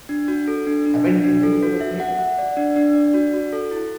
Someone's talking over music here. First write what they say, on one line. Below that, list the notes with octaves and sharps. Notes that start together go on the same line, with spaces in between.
Haven't you ever played?
D4
F#4
A4
D4
D4
F#4
D4
A4
F#4
E5
F#5
F#5
D5
D4
D4
D5
F#4
F#4
A4
E4